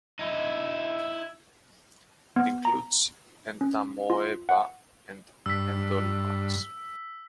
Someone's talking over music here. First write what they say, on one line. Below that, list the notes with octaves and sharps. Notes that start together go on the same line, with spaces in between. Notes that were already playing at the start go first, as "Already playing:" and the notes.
It includes "Entamoeba" and "Endolimax".
D#4 E4
B3
A#5
C#4
F4
F#5
G2 E6 B6